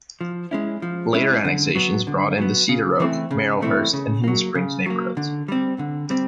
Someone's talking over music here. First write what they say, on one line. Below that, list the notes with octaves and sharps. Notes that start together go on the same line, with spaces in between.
Later annexations brought in the Cedaroak, Marylhurst and Hidden Springs neighborhoods.
F3
G#3 C#4 E4
F3
G#3 C#4 E4
D3
F#3 B3
D3
F#3 B3
C#3
E3 A3 C4 E4
C#3
E3 A3 C4 E4
C#3
F#3 A#3
C#3
F#3 A#3
D3
G3 C4
D3
G3 C4